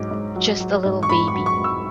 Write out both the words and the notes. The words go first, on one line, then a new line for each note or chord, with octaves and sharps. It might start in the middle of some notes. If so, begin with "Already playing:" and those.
Just a little baby.
Already playing: G#2 F#3 D6
G#2
F#3
F#3
G#2
C#6
G#2 B5
C#6
F#3
C#6
F#3
E6